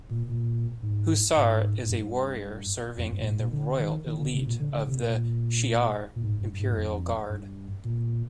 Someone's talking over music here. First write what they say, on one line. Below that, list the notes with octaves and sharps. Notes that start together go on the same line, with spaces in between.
Hussar is a warrior serving in the Royal Elite of the Shi'ar Imperial Guard.
A#2
A#2
G#2
G#2
G#2
G2
F2
G2
A#2
G#2
A#2
D3
D#3
D#3
D3
C3
A#2
D3
D3
C3
A#2
A#2
G#2
G2
G#2
G2
F2
G2
A#2